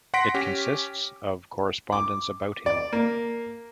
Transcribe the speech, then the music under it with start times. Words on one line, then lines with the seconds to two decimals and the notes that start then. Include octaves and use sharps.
It consists of correspondence about him.
0.14 F#5 C6 A#6 B6 D7
0.34 C#4 G4
1.92 D6
2.66 D5
2.93 A#3